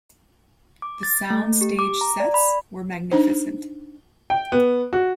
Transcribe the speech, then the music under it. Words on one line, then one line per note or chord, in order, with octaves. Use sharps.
The soundstage sets were magnificent.
D6
A6
A3
G4
D6
A#5
D5
B5
D4 D#4 C5
G5
B3
F#4